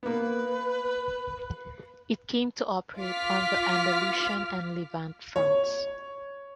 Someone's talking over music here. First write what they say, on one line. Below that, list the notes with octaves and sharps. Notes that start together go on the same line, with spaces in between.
It came to operate on the Andalusian and Levante fronts.
A#3 B3 B4
F4 D6 F6 B6
C#5